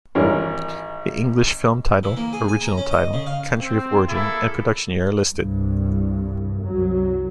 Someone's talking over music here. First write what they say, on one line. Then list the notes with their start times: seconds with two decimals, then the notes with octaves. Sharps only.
The English film title, original title, country of origin and production year are listed.
0.15 G#1 E3 G3 A#4 C#5
2.03 E3
2.17 A#3
2.33 G#4
2.48 G#5
2.61 A#5
2.77 C#4
2.91 D#5
3.13 C#3
3.26 F5
3.61 C4
4.07 A#3 E4 G#4 A4
5.30 C2 G2
6.61 C2 F#2 F#3